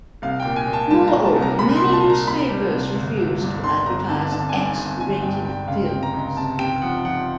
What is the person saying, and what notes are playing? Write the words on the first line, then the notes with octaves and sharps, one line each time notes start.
Moreover, many newspapers refused to advertise X rated films.
C2 F5
G5
A#2
G#5
A#2
A5
G3 A5
A#5
A#2
A5
C2
A#5
A#2 B5
C6
C2
A5
A#2 A#5
C2 B5
G3
C2
G1
G1
G2
D3 C6
G1 A#5
D3 A5
D3 A5
G#5
G2
G#5
G1
G#5
G1 G#5
G2 G5
G1 G5
C#2 F5
G5
C3
A#5
C#2
A#5
C3 A5
C3 G5
F3 F#5
F3 F#5